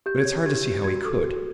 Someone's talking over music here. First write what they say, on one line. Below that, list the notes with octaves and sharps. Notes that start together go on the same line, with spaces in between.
But it's hard to see how he could.
G4 G6
G#6
C#5
G4 G#6
G4
F#4 G#6
A4
F#4